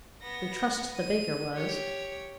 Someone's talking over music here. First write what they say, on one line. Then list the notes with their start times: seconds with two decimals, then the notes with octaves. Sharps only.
We trust the baker was.
0.23 B3 A#6
0.96 D#7
1.54 G4 C#5